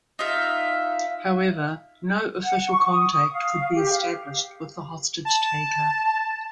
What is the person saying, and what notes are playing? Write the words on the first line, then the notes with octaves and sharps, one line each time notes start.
However, no official contact could be established with the hostage taker.
D#4 F4 E5 F5
F#5
C#6
D#6
F5
G4
F5
A5